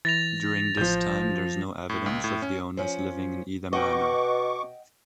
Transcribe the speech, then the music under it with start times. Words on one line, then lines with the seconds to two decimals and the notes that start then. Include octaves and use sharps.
During this time there is no evidence of the owners living in either manor.
0.05 E3 A6 A#6 F7
0.77 A1 F3 G6
1.89 A2
2.06 C#2
2.24 A2
2.42 C#4
2.77 F3 C#4
3.73 B2 D#5 F#5 G5 C#6 D6